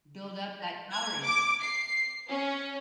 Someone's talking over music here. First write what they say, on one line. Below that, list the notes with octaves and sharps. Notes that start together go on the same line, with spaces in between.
Build up that tolerance.
G#6
D6
C7
C#4